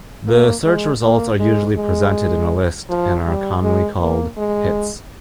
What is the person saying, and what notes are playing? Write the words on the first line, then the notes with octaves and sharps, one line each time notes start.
The search results are usually presented in a list and are commonly called "hits".
A#3
G#3
A#3
G#3
G#3
F3
G3
G#3
A#3
G#3